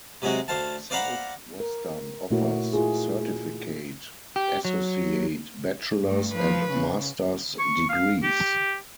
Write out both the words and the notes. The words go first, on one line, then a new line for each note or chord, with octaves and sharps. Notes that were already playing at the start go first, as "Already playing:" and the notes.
Southwestern offers certificate, associate, bachelor's, and master's degrees.
C3 F#3 G#3 C4 F#4
D2 C5 F5 A5
C5 D5 F5 F#5 A#5 B5
A#4
A#2 A3 E4 F#4 A#4 C#5
E4 F4 G#4
G4
F#3
G2 A3
F3 B4
C#3
C#6
F5
G4